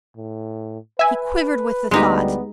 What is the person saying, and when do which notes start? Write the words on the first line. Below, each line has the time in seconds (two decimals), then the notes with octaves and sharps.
He quivered with the thought.
0.17 A2
0.99 B4 E5 G#5
1.91 D2 G3 G#3 B3 D#4 G4